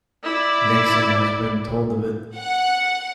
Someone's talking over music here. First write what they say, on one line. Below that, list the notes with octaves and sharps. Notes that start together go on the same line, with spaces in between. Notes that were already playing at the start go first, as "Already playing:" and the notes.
Nixon has been told of it.
E4 D5
F#5